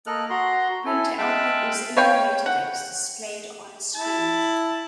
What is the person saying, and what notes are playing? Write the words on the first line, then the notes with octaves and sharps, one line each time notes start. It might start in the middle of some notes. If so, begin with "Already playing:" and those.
Printer output is emulated and is displayed on screen.
A#3 A4 D#5 F6 F#6
F#4 A#5 C6
E4 A4 G#5
G#3 E5 F5 G5 A5 F#6
B4 C#5 F5 G5
F#5
E4 A5